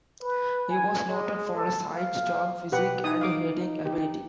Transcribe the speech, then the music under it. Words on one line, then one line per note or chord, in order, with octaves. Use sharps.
He was noted for his height, strong physique, and heading ability.
B4
G#5
G#3
A4
F5
B2 G4 B4 F#5
D#4 D#6
F5 D6
G4